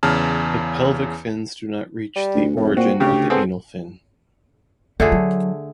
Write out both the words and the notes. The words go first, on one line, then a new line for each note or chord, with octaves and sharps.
The pelvic fins do not reach the origin of the anal fin.
E2 C#3 A5 F6
G3
D2
F1 A2
A#2 C4 F#4
D2 C#3 G4
B3 C4 G#4 A4
F2 D3 A3 G#4
F#3